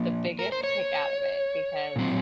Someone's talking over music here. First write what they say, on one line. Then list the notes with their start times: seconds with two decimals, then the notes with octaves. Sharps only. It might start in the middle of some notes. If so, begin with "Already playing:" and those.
the biggest kick out of it because,
Already playing: F3 A#3
0.39 A#4
0.52 C5
0.64 C#5
1.96 A#2 F#3 C4